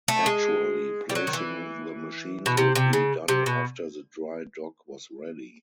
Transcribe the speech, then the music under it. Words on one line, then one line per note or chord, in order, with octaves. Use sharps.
Actually placing the machines would be done after the dry dock was ready.
A3
G#3
G3
F#3
D#3
E3
B2
C3
C3
C#3
C3
B2